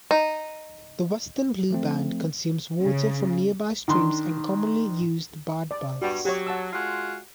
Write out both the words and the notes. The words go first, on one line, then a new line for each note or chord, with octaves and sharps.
The western bluebird consumes water from nearby streams and commonly used bird baths.
D#4
F3 A3 C4
C#3
D#3 D4 C6
D5
G2 G3 F#4
F#3 G4 C#5
F#5 A5 E6
G#3 F4 F#4